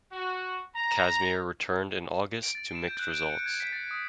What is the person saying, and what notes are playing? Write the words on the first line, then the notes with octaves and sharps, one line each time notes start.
Kazmir returned in August to mixed results.
F#4
A#5
D7
A6
E7
G6
F#6
D7
C#7
G#6
B6
A6
D#6